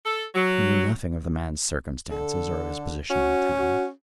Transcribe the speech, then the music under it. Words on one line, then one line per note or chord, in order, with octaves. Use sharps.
He knew nothing of the man's circumstances or of his position in the town.
A4
F#3
D3 A4
C#4 F#4
F#4